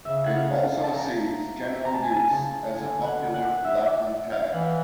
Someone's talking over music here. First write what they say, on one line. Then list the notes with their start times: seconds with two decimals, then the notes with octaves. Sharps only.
It also sees general use as a popular Latin tag.
0.05 C#3 E5
0.26 F#5
0.36 F5
0.65 A5
0.84 A5
0.96 A#5
1.85 C3 A#5
1.94 A5
2.03 G#5
2.11 A5
2.30 C#3 A5
2.75 D3 G#5
3.05 F#5
3.34 F#5
3.64 E5
3.87 D5
4.32 F5
4.54 E3 F#5